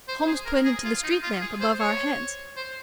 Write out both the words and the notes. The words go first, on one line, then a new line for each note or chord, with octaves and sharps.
Holmes pointed to the street lamp above our heads.
C5
G#4
A#4
G#4
F4
D#4
F4
G#4
C5
C#5
C5